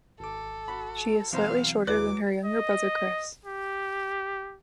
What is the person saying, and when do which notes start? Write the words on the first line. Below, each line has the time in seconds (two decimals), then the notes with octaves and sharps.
She is slightly shorter than her younger brother Chris.
0.20 G#1 A4 D6
0.68 F#4 B5
1.33 B1 E3 F#3 C4 C5 F5 A#5
1.87 D#2 F#3 E4 B4 D5 D6
2.45 D#5
3.45 G4